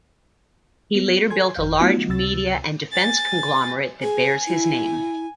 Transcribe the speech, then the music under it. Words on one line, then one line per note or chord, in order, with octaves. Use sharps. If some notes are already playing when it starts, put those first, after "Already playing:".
He later built a large media and defense conglomerate that bears his name.
B3
A4 G#5 C6 G#6
G1 F2 F5 G6
F#3 A3 B3 D#4 F4 F#4
C#2 C3 E6 A6
G#5 A6
G#4 G#5
E4